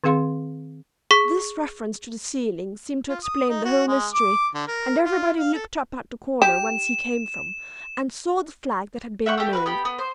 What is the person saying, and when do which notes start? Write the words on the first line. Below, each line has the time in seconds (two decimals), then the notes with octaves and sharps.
This reference to the ceiling seemed to explain the whole mystery; and everybody looked up at the corner whence he came from, and saw the flag that had been removed.
0.04 D#3 C4 G#4 F5 C6
1.11 G#4 C#6 B6
3.09 F4
3.24 D#6
3.49 D#4
3.64 F#4
3.88 G#3
4.14 D6
4.55 D3
4.68 A#4
5.04 F4
5.38 F5
5.54 A4
6.42 G4 E7
9.26 E5 F#5 G5 C#6
9.38 A3 G4
9.53 F#4 A#4 B4
9.66 B3 G4 B5
9.85 B3
9.98 C5